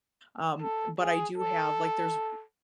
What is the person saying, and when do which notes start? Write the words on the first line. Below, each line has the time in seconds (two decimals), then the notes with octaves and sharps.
um, but I do have like, there's o
0.62 A4
1.00 G#4
1.38 A4